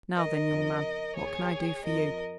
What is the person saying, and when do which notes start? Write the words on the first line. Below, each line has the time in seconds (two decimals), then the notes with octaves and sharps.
"Now then, young man, what can I do for you?"
0.16 A#4 D#5
0.49 F2 C#3 F3
1.17 D#2 D#3 G#4 C#5
1.84 F2 F3 A#4 D#5